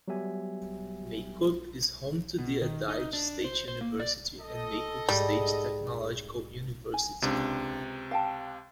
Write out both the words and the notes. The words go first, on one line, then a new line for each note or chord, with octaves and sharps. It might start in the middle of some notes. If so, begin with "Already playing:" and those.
Maykop is home to the Adyghe State University and Maykop State Technological University.
F#3 G3 B3 G4 E5 G#5
B2
D#3
D#4
D4
C5
C5
A#3
D5
A4 D#5
G#2 G3
G#5
C#2 C3 D4 D5
F5 G5 A5